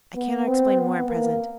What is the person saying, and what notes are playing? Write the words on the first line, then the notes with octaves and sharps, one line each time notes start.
I cannot explain more at present.
B3
C4
B3
A#3